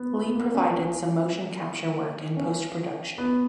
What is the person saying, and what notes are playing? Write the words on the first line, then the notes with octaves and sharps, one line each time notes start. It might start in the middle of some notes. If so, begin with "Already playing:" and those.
Lee provided some motion capture work in post-production.
Already playing: B3
B3
A#3
C#4
C#4
C#4
B3